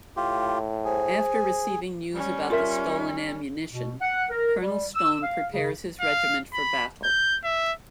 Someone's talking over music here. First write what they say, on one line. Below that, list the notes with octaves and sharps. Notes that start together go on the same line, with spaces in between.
After receiving news about the stolen ammunition, Colonel Stone prepares his regiment for battle.
A2 F4 G4
G#4 C5
G3 C#4
F4 A#4 E5
B2
F#5
A#4
G3
E6
F5
C#3
F5
B5
G6
E5